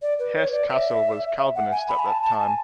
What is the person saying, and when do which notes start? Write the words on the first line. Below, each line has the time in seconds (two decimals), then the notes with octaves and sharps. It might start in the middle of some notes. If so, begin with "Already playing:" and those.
Hesse-Kassel was Calvinist at that time.
0.02 D5
0.19 B4
0.36 C#5
0.53 D5
0.70 E5
1.38 E5
1.55 F#5
1.71 G#5
1.88 B5
1.99 G#5
2.06 A5
2.23 A5
2.40 G#5